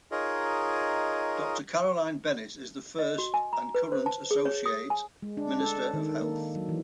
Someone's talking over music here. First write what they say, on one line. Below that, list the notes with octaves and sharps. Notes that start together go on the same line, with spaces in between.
Doctor Carolyn Bennett is the first and current associate minister of health.
D#4 F4 G#4 A#4 C#5 D#5
D#5
F#4
G#5
A#5
B4
C5
A5
G#4
C#5
D#6
G#5
G#3
D4
A4
D#3
A#3
F#3
E3